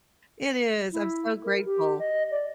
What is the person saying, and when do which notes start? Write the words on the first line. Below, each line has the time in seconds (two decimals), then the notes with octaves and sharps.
It is, I'm so grateful.
0.92 E4
1.44 A#4
1.65 G4
1.99 D#5
2.31 D5